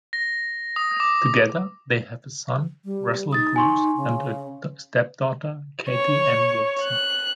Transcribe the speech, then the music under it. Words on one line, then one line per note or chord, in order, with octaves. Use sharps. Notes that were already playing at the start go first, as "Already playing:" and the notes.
Together they have a son, Russell Bruce, and a stepdaughter, Kathy Ann Wilson.
A#6
D#6
D6
G3
D#4 D#6 A6
G#5 C6 C#6
C#3
C#5
F#6